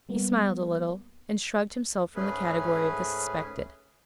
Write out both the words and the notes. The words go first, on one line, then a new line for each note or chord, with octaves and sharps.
He smiled a little, and shrugged himself from the category of the suspected.
G3 A#3 B3
G#2 A3 C#4 G#4 B4